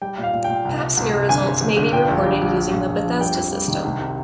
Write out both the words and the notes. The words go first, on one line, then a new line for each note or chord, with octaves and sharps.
Pap smear results may be reported using the Bethesda System.
G3 G5
A#2
F5
A#2
G5
A#2
C2
C2
C2
C2
G1 G#5
G1
G1
G1
A#2 G5
A#1
G3
A#1
A#1
A#2
A#1
F3
G3 G5
F2
G3
D#3
C2
C3